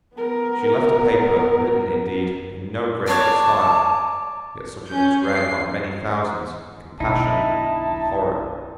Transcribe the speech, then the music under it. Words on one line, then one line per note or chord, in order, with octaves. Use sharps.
She left a paper written, indeed, in no graceful style, yet such as was read by many thousands with compassion and horror.
B3 A#4
C#5 D5 A5
C#4 G6
C7
B1 D3 D#4 E4 A5